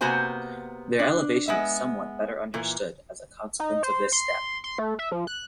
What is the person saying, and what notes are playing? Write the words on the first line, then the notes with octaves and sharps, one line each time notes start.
Their elevation is somewhat better understood as a consequence of this step.
C3 A#3 B3 F#4 C5 G#5
D4
G#3 B3 E5
A#2 E3
D#4
C5
C6
C6
A3
E5
F3
F#6